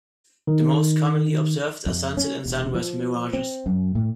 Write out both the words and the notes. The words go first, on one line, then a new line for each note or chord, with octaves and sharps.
The most commonly observed are sunset and sunrise mirages.
D#3
F2
C#4
E1
F3
C4
F#2
A2